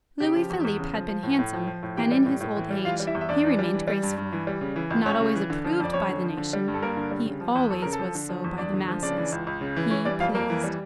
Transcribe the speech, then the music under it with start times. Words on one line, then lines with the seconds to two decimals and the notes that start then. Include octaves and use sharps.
Louis Philippe had been handsome, and in his old age he remained graceful; not always approved by the nation, he always was so by the masses; he pleased.
0.20 C#3 G4 G5
0.36 F3
0.50 E2
0.65 E2
0.79 C#3
0.94 F3
1.08 F3
1.23 A2
1.39 A2
1.53 F3
1.67 F3
1.83 A2
1.97 E3 G4 G5
2.12 G3
2.26 A2
2.41 A2
2.56 E3
2.71 G3
2.85 E3 F4 F5
3.00 G3
3.07 E4 E5
3.15 E2
3.21 E5
3.29 E2 D4 D5
3.44 E3
3.59 G3
3.73 E3
3.88 G3
4.03 G2
4.17 G2
4.32 E3
4.47 G3
4.61 C#3
4.76 E3
4.90 C#2
5.06 C#2 C#4 C#5
5.21 C#3
5.35 E3
5.50 D3
5.64 F3
5.80 F2 D5
5.93 F2 C#4 C#5
6.09 D3
6.24 F3
6.37 D3
6.53 G3
6.68 G2
6.74 A4
6.82 G2 A#3 A#4
6.97 D3
7.11 G3
7.26 C#3
7.41 F3
7.55 E2
7.70 E2 A4
7.82 C#3 A#4
7.93 A4
7.99 F3
8.15 D3
8.29 F3
8.44 E2
8.58 E2 D4 D5
8.74 D3
8.88 F3
9.02 C#3 D4 D5
9.18 E3
9.32 C#2
9.47 C#2
9.61 C#3
9.76 E3
9.90 E3 C#4 C#5
10.05 G3 D4 D5
10.20 F2 F4 F5
10.35 F2 A#3 A#4
10.50 E3
10.64 G3